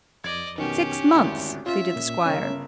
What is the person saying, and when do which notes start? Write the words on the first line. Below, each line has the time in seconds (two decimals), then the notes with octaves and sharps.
"Six months," pleaded the squire.
0.24 F2 D5 D#5 G#6
0.58 B2 D#3 C#4 G4
1.15 G#1 D2 A2
1.66 C#4 F4 E5
1.96 A#2
2.26 G1 C#3 C#4 A#4